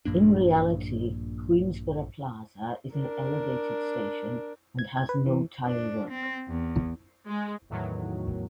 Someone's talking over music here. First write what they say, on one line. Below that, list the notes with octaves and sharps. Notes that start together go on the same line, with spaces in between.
In reality, Queensboro Plaza is an elevated station and has no tilework.
A#1 G2 A#3 D4
D4 A#4
G#6
G#6
B4
E3
D4
C4
E2
G#3
E2 A2 D#3 F#3